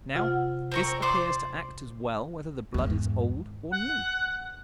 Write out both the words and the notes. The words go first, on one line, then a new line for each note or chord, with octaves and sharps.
Now, this appears to act as well whether the blood is old or new.
C3 F4 F#5
C4 A#4 C#6
C5 D5 D6
E2 G#2
F#5